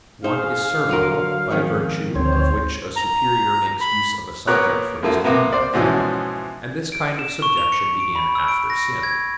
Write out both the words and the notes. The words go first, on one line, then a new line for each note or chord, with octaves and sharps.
One is servile, by virtue of which a superior makes use of a subject for his own benefit; and this kind of subjection began after sin.
D#4 G#4 C5 F5
D3 F#3 F4 A#4
F2 D#3 C#4
D2 C4 C5 C#5
A#5
B5
A#2 B3 A#4 C#5 F#6
F#2 F3 A3 A#3
C3 A#3 B3
C5 D5
G#2 B2 E3 F3 C#4
D7
E7
C#6
F7
C#7
D7
B5
E6
D7
A#6
G#6